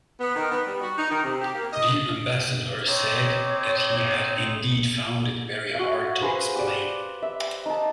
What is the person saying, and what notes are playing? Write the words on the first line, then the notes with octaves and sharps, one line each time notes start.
The ambassador said that he had indeed found it very hard to explain.
B3
D#3
B3
G3
F#4
D#4
D#3
C3
G4
A#3
D#5
C4 D#4 C#5 D6
F#4 F5
G#4 B4 C5
G4 D5
E5
D#4 A5